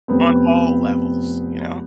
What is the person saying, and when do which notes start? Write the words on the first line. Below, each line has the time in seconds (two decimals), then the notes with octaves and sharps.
on all levels, you know?
0.08 F1 B3 C4